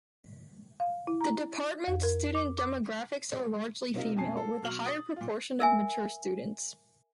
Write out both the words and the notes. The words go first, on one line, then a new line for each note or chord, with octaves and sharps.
The department's student demographics are largely female, with a higher proportion of mature students.
F5
E4
A#5
F2
A#4
D6
D6
C3 A#3 C4 D#4 F4 G4
F2 B2 C#4 G#5 A5 C7
A#3 A4
B2 F#3 F6 F#7
D#6 A6
A#2 F4
A#4 E5 G#5